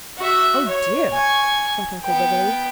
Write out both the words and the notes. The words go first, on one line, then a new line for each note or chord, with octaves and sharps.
"Oh, dear!" thought Uncle Wiggily.
F#4 E5
C#5
G#5 C#6
B3 G5